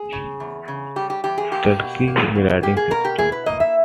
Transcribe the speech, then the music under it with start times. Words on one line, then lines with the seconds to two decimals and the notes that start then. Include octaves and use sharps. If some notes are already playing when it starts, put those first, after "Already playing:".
Turnkey grading system.
Already playing: G#4
0.13 C#3
0.40 E2
0.68 C#3
0.96 G3 G4
1.10 G4
1.24 E2 G4
1.38 G#4
1.51 A#3 G4
1.79 B2
2.08 A#3
2.35 B2
2.63 A#3 G4
2.77 G#4
2.90 B2 A#4
3.05 G4
3.18 E4 G#4
3.32 B4
3.46 A#3 D#5
3.60 E5